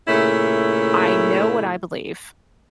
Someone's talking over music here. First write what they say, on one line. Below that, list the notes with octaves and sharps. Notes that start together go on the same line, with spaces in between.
I know what I believe.
A#2 C#3 A3 E4